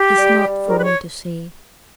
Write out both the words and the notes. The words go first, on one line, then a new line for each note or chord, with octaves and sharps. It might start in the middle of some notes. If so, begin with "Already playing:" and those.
"It is not for me to say."
Already playing: G4
G3
G3
G#2 A#4
B4
C#5